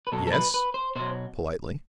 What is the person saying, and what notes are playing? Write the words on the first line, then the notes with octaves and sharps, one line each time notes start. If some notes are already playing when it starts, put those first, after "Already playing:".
"Yes?" politely.
B4
B2 F#3 A4
A4
B4
B4
C5
B2 F#3 C5